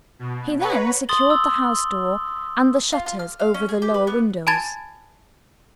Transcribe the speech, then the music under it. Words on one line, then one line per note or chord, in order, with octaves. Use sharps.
He then secured the house door, and the shutters over the lower windows.
B2
B4 C#5 F#5 A#5 B5
C6 D#6 A6 F#7 G7
E6
F4
F4
F6
F5
C#4
G#4
G4
B4
B3
G#5 A5 B5 G#6 A6